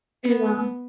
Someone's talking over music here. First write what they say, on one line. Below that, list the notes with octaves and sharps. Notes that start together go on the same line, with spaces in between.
You know.
B3